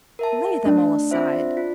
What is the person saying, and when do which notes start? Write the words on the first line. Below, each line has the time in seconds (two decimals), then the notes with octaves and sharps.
Lay them all aside.
0.19 A#4 E5 A5
0.65 A3 D4
1.11 C4 F4 C5 E5
1.57 F4